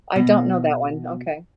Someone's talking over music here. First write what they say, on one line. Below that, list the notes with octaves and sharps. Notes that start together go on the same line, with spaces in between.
I don't know that one, okay.
B2